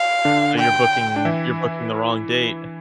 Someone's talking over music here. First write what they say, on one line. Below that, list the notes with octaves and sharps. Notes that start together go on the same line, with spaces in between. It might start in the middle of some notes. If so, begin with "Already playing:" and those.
So, you're booking you're booking the wrong date.
Already playing: F5
D3 D4
G5
D4
E3 E4